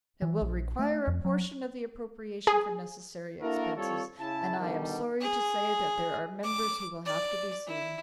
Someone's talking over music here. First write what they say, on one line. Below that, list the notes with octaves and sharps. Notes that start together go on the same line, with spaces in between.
It will require a portion of the appropriation for necessary expenses, and I am sorry to say that there are members who will have to be seen.
E3
A#1
A3
F2
F#3
G#4
A#3 D4 E4 F#4 A4 A#4
G3 C4 F4 A4 C#5
C#3 E4 A5
B2 D3 D#3 G3
G#4
D6
D5
E4